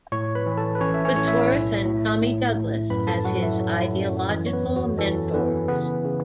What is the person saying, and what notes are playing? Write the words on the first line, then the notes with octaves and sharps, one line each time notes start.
Woodsworth and Tommy Douglas as his ideological mentors.
A2 C#5 C#6
B4 B5
E3
A4 A5
B4
A1 C#4 C#5
E5
C#4 C#5
A2 C#5
E4 E5
B1
A2
A2
A2
F#2 B4 B5
A4 A5
F#3 F#4 F#5
E4 E5
F#3
F#2
E3
C#5
B3 B4
E2
F#4
E3 A4
E3 B3 B4
C#3 B3 B4
C#3